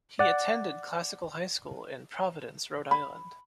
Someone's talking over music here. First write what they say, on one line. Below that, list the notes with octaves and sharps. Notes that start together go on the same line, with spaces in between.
He attended Classical High School in Providence, Rhode Island.
D5 F#5
B5